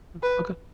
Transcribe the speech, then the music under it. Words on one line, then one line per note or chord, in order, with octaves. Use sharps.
Hm. Okay.
B4